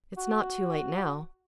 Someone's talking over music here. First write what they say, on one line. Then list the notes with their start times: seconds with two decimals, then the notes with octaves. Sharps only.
"It's not too late, now."
0.17 F#4